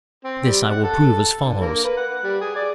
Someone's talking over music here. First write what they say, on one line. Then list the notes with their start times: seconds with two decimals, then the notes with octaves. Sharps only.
This I will prove as follows.
0.25 C4
0.45 G3
0.70 F#5
0.84 A4
1.44 D3
1.60 A#3
1.84 B4
1.97 F#5
2.24 G3
2.41 G#4
2.56 D5